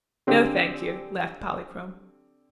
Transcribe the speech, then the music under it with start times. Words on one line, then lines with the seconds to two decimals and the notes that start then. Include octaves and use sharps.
"No, thank you," laughed Polychrome.
0.27 D3 C4 G4 G#4